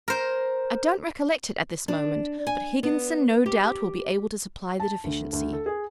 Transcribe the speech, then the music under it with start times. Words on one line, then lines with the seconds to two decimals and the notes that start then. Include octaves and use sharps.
I don't recollect it at this moment, but Higginson, no doubt, will be able to supply the deficiency.
0.08 A#4 C5
1.88 D4
2.47 G#5
2.83 B3
3.46 G4
4.80 A5
5.04 D2
5.33 D2
5.53 A4
5.66 G#4